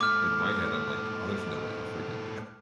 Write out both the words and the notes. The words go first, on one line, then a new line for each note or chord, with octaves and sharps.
in my head, I'm like, "Oh, there's no way I'll forget that,"
G#2 A3 D6 F6